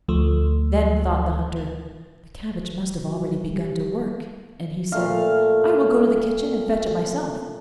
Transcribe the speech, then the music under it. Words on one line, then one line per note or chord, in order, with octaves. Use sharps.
Then thought the Hunter, 'The cabbage must have already begun to work.' And he said, 'I will go to the kitchen and fetch it myself.'
D2 F3 A3
F#3
G3
A#2 A3 F5